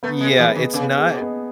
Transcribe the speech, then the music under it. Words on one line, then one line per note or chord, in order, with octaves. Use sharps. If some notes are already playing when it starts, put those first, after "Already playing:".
Yeah, it's not
A3 B3
G#3
G#4
E3
B3
D#3
C#3 B3
G#4
B2
B3